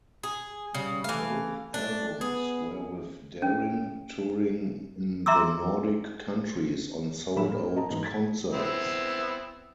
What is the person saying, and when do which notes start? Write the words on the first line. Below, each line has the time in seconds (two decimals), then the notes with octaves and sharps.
Both albums were with Darin touring in the Nordic countries, on sold out concerts.
0.23 G#4
0.75 C#3 G3
1.04 E3 A3 F5
1.74 A3 D4
2.21 B3 G#4
3.42 C#4
5.26 E5 A#5 C6 D6 E6
7.36 A2 F#3 A#3 E5 B5 E7
7.48 A#2
7.76 D#5 A5 A#5
7.90 G#2 E3 B3
8.03 G#6 A6 B6
8.53 B3 C4 E4